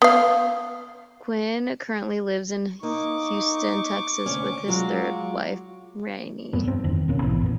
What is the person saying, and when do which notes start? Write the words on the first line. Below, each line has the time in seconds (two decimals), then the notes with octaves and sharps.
Quinn currently lives in Houston, Texas with his third wife, Rennie.
0.02 B3 F5
2.83 A#3 D#4 C#6 D6
4.26 D2 G#2 C#4
4.68 F#3 G#3 F4 F#4
6.53 F#2 A#3 B3
6.67 G2 C4
6.84 F1 F2 D#3 C4
7.08 D1 B2 A#3 C#4
7.22 A#1 G#2 E3 B3
7.41 F#2 A#2 E3